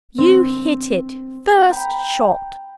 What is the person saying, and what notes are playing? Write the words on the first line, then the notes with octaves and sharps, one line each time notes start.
You hit it first shot.
C4
G5 A#5 B5